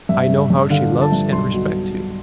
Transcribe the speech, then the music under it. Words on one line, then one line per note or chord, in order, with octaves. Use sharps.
I know how she loves and respects you.
G2 E5
G2
G2
D3 F5
F3
A5
G2
B1 C6
B2